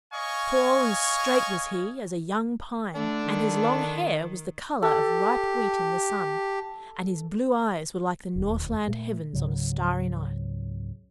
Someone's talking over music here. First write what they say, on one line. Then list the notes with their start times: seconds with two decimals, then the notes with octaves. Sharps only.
Tall and straight was he as a young pine, and his long hair was the colour of ripe wheat in the sun; and his blue eyes were like the northland heavens on a starry night.
0.13 C#5 D#5 F5 G#5 C#6
2.95 D3 A3 D4
3.25 D#3
4.82 G4 A4
8.36 E1 D#2
8.87 A#2 A3
9.33 C#2 G#2 C#3 F#3